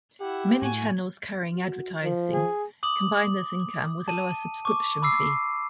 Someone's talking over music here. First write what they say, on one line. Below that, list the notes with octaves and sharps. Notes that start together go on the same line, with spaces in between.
Many channels carrying advertising combine this income with a lower subscription fee.
E4 G4 F#5
A2 F#4 G#5
F#4
F3
G#4
D6 D#6 F#7
A5 D#7
C#6 D6
B5 D6 E6 C7